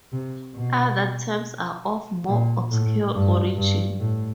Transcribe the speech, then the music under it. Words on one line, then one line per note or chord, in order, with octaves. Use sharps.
Other terms are of more obscure origin.
C3
B2
A#2
A2
G2
G2
A2